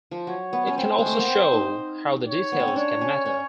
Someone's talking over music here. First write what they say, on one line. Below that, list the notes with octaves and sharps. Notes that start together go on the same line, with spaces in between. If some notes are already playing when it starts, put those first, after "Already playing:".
It can also show how the details can matter.
F3
F#3 C#5
B3
C#4
C4 C5
G#3
A3
A#3
B3
C4
D#4
C#5
B3
C4
C#4
D4 C#5
C#4
C#4